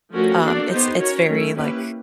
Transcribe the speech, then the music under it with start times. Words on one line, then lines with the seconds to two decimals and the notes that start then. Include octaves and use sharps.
um, it's it's very, like,
0.13 F3 A3 C#4 F#4 A#4
0.41 A#3 D4 F#4 A4 D5
0.70 B3 D#4 G4 C5
0.98 C#4 F#4 A#4 C#5
1.27 F#3 A3 C#4 E4
1.56 A#3 C#4 E4 G4 B4